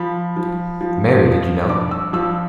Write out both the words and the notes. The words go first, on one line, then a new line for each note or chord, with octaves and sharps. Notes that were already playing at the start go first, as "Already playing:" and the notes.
Mary, Did You Know?
Already playing: F3 B5
F3
F3
F3
G2 D6
E6
F3 E6